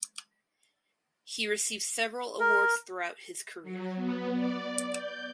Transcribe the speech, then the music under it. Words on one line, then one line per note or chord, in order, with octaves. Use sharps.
He received several awards throughout his career.
A#4
F#3
B3
D5
G6